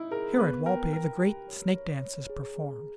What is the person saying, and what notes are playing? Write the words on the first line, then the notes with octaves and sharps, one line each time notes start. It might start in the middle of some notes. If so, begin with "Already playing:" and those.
Here at Walpi the great snake dance is performed.
Already playing: D#4 E4
G#4 A#4
B3 B4
A#4 G5
A#4 G5
G4
C#5
C#5
C#5
G#4
G#4